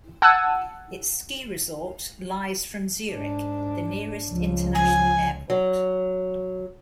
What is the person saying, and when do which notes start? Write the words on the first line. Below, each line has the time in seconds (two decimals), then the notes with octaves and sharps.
Its ski resort lies from Zurich, the nearest international airport.
0.22 F#5 A5 E6 F#6 G#6 D#7
3.09 G#2 D4
4.30 C#2 F3
4.75 G#5
5.50 F#3